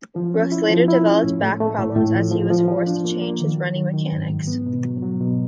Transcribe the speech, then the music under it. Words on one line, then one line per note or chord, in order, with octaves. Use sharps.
Brooks later developed back problems as he was forced to change his running mechanics.
F3
C#4
E4
F3
E4
C#4
A2
A3
A3
A2
A2
F3
F3
F3
F3
D4
A#3
A#3
D#3
F#3
D#3
D#3
G#2
G#2
B3
B2
F#3
F#3
B2